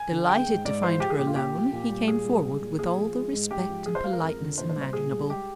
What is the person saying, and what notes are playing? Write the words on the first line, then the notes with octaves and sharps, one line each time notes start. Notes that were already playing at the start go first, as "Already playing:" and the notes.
Delighted to find her alone, he came forward with all the respect and politeness imaginable.
Already playing: G#5
D3
G#3 G5
G#2
G#2 D5
F3 C5
G#3 G4
G#4
A#2 G4
F4
A#2 G4
F3
A#2
G3
A#2 G#4
G3
G#3
A#2
A#2 G#4
F3
G#3
G#2
G#2 G4
F3
F3 G#4
C5
G#3 F5
A#4
F2
D3
A#2 C5
C5
G3
C5
A#2 G#4
G3
G#3 G4